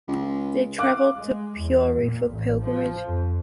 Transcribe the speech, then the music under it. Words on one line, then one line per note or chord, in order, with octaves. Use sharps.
They traveled to Puri for pilgrimage.
C#2
F5 D6 F#6
G#3
E2
A#2
A1
F3
F2